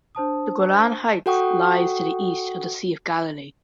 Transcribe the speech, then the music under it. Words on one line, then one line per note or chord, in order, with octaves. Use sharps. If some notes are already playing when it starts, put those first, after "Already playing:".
The Golan Heights lies to the east of the Sea of Galilee.
D4 C5 A5 D#6
F#4 A4 F#5 G5 C#6 D#6